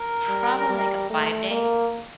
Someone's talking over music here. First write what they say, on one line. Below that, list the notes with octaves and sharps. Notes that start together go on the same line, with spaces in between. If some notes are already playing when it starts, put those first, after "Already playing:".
Probably, like, a five-day.
Already playing: A#4
G3
G3
A3
A#3